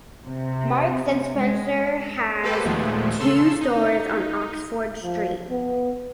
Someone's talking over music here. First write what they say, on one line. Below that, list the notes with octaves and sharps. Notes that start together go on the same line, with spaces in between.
Marks and Spencer has two stores on Oxford Street.
C3
G#3
A#3 G4 A4 B4 C5
D#2 A#2 F3 G#3 A3 B3
C#3 A4 C6 E6
D#4
F3
B3